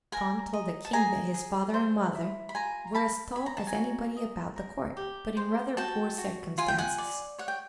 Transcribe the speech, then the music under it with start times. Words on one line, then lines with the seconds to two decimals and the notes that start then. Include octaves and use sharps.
Tom told the King that his father and mother were as tall as anybody about the court, but in rather poor circumstances.
0.12 A#4 G#5 A#5
0.53 D#5
0.85 A5
0.93 G#4 G#5 A#5
1.34 G#4
1.74 C5
2.15 E4
2.49 B5
2.54 F4 G#5 A#5
2.95 A#4 A5 B5
3.35 C#5 B5
3.46 A#5
3.57 A5
3.67 G#5 A#5
3.76 F#4
4.17 D#5
4.56 A#4
4.97 G4
5.37 C5
5.77 F#4 G5 A5
6.18 F#4
6.58 F4 G#5
6.68 G5
6.78 F#5 G#5
6.98 D5
7.38 C#5 F#5
7.48 G5